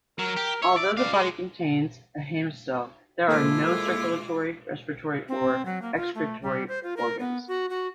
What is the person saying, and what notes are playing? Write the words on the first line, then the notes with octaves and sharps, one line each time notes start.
Although the body contains a haemocoel, there are no circulatory, respiratory, or excretory organs.
F#3 A#4
G4
C#5 E5
D5
C#2 D5 F5
G#3
G#3 A#3 E4 F4 A4 C5 D6
C4
F#3
A#3
F4
A3
G3
C5
F4
A#4
B3
F#4
F#4